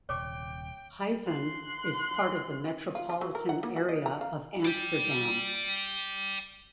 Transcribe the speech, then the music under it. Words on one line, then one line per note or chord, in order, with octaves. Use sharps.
Huizen is part of the metropolitan area of Amsterdam.
D#1 C3 C#5 G5 C#6 D6
C6 F#6
F4
F4
F#3
A#4
F#5
A#3
F#4
D#5
A#5
F5
D5 G5